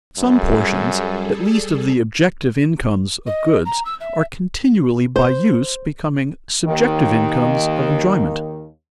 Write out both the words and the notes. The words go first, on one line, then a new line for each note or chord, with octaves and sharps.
Some portions at least of the objective incomes of goods are continually by use becoming subjective incomes of enjoyment.
F#2 G3 G#4 A4
D#5
A#5
E6
E5
C5
D#2 D#3